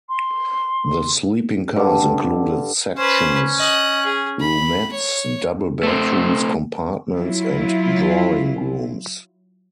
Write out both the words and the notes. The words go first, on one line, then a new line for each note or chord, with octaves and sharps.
The sleeping cars included sections, roomettes, double bedrooms, compartments, and drawing rooms.
C6
G2 D3
C#4 B4 C5
D#5 F#6
G#4
B5
C#5
A3 C4
F#3 E4 F4